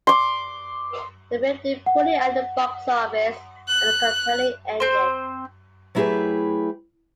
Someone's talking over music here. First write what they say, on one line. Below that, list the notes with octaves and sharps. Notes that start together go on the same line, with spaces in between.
The film did poorly at the box office, and the company ended.
C6 D6
F#5
F#6
C4 C5
F#3 A3 E4 G4 G#4 B4